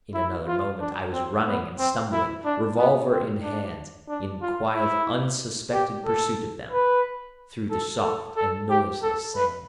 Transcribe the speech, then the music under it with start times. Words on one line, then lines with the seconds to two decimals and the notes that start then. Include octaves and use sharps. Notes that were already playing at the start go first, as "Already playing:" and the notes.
In another moment I was running and stumbling, revolver in hand, in quiet unsuspected pursuit of them, through the soft and noiseless sand.
0.14 E4
0.47 F4
0.80 D4
1.13 C4
1.46 B3
1.79 C4
2.12 E4
2.45 D4
2.78 B3
3.10 C4
3.43 D4
4.09 D4
4.42 F4
4.75 E4
5.73 G4
6.06 A4
6.72 B4
7.71 A4
8.03 A4
8.36 A4
8.70 G4
9.02 A4
9.35 B4